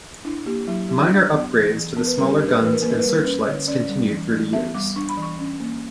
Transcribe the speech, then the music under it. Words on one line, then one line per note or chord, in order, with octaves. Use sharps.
Minor upgrades to the smaller guns and searchlights continued through the years.
D4 E4
A#3 G4
F#3 E4
F#3 G4
D4
B3
E3
E3
B3 A#4
B4
G3 A#4
G4
D4 A#4
B4
A#4
E3 B4
A#4
A#3 B4
A#4
B4
G3 A#4
C#4 B4
D3 C#5
C#4 D5
G3
E3
E3
B3 E5
G3 D6
D4 C#6
B5
E3 C#6
C#4
A#3